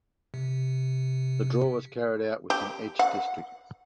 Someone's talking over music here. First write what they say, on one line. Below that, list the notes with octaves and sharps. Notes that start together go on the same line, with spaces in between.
The draw was carried out within each district.
C3
G4
F#5